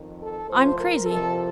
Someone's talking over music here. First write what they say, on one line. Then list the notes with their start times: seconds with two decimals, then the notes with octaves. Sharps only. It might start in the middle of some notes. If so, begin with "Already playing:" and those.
I'm crazy!
Already playing: F2 D#3
0.19 A4
0.48 A2 F3 C5
0.77 A#4
1.06 F2 C3 F3 A4